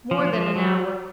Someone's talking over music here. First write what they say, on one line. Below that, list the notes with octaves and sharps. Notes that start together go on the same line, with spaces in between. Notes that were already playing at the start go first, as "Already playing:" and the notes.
More than an hour.
F3
F3
F#3